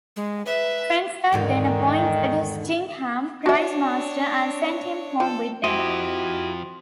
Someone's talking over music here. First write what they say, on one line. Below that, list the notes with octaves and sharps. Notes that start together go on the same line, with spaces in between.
Trenchard then appointed Stingham prize-master and sent him home with them.
G#3
B4 E5
E2 G#2 D3 D#3
D4 F#4 C#5 E5
F3 A4
F3 C4 E4 F#4 G4 D#5 C6